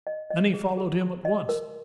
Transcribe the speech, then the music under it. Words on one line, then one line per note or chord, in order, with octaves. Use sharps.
Many followed him at once.
D#5
D#5
G#4
G#4
C6
D#5
A#4